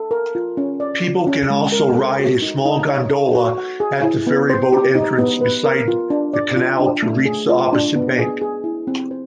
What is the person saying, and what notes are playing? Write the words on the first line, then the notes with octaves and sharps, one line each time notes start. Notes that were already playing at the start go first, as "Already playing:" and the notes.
People can also ride a small gondola at the ferryboat entrance beside the canal to reach the opposite bank.
Already playing: A4
A#4
F4
C#4
D5
F4
C#4
G#3
A#4
A4
F#4
D#4
D#4
C#5
A4
F#4
F#5
G#4
E4
B3
C5
G4
D#4
B3
B4
A#4
F4
D4
D5
F4
D4
A3
G#4
F4
D4
B3
G#4
G#4
E4
C4
C5